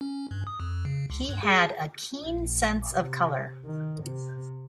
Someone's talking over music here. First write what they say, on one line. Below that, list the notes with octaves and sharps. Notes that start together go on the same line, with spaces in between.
He had a keen sense of color.
C#4
G2
D#6
F2
C#3
C#2
G2
G#4
A#1
C3
D#3
C3